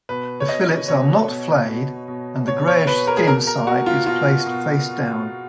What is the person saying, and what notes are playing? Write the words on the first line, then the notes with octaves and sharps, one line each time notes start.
The fillets are not flayed, and the grayish skin side is placed faced down.
B2 B4
C#5
B2 D#5
B2 C#5
B2
B2
B2
B2 C#5
C#5
B2 B4
A#4
G#4
B2 A#4
A#4
B2 F#4
F4
B2 F4
B2